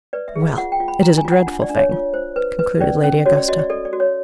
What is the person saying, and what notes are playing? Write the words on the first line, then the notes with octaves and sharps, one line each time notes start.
"Well, it is a dreadful thing!" concluded Lady Augusta.
B4 D5
E5
G#4
F5
F4 F#5
G5
F4
B5
F4 A#5
G#5
F4
F#5
D4
D5
D4
C#5
F4
C5
B4
B4
C#4 D5
C#4
F#4 C#5
D5
F#4 D#5
D5
A4 D5
D5
F#4
C#5